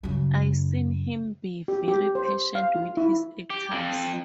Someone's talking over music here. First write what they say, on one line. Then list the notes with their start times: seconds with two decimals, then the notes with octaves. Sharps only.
I seen him be very patient with his actors.
0.03 F#2 C#3
1.68 G4
1.88 G4
2.15 C5
2.55 F5
2.76 F4
2.97 E4
3.50 G4
3.72 F2